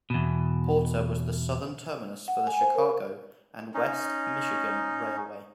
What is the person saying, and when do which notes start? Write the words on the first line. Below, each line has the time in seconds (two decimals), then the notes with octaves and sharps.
Porter was the southern terminus for the Chicago and West Michigan Railway.
0.10 E2 B2
2.28 F#5
2.47 G#5
2.61 C5
2.75 A#4
3.74 C#4 D#4